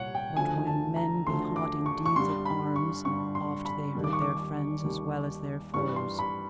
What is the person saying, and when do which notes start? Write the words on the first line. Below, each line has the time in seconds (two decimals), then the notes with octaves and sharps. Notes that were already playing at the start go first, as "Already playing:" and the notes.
But when men be hot in deeds of arms oft they hurt their friends as well as their foes.
Already playing: C2 A#2 G3 C#5 F#5
0.15 G5
0.37 D2 D3 F3 A3 G#5
0.67 A5
0.96 A#5
1.26 D2 D3 F3 A3 C6
1.56 D6
1.86 C#6
2.06 C#6
2.16 G2 D3 G3 C6
2.45 B5
2.76 C#6
3.05 G2 D3 G3 C#6
3.35 C6
3.65 B5
3.95 D#2 D#3 G3
4.04 D6
4.13 C#6
4.22 D6
4.84 D#2 D#3 G3
5.74 G2 E3 G3 C#6
5.96 C6
6.19 B5